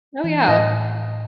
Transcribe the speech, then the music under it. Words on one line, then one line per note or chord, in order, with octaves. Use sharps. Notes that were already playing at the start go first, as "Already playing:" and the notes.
Oh, yeah.
E3
A2 D#5